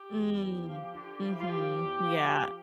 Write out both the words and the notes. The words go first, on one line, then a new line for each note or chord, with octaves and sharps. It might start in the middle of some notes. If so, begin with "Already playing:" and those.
Mm. Mhm. Yeah.
Already playing: G4
E2
E2
F3
D3
F3
E4
F4
F3 G4
E2
F3
F3